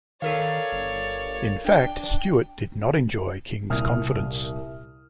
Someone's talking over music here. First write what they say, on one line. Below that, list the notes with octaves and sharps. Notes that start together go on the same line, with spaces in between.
In fact, Stewart did not enjoy King's confidence.
D#3 A4 A#4 C#5 D5 F5
G1
D4 G5
C2 A#2 E5 D#6 F6